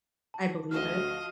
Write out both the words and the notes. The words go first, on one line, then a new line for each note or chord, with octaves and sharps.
I believe it.
A5
D2 F3 F#4 D#5 F5 F6 E7